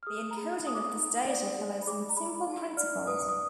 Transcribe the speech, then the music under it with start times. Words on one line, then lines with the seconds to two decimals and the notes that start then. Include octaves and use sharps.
The encoding of this data follows some simple principles.
0.03 F6
0.07 G#4 D#6
0.31 A#5
0.37 G#4 B5
0.67 D#4 D#6
0.74 D6
0.82 D#6
0.97 D#4
1.27 D5
1.57 G#4
1.82 B5
1.87 G#4 D6
2.09 A#5
2.17 G#4 B5
2.47 D#4
2.77 D5 F6
3.07 B4 D#6
3.29 D#6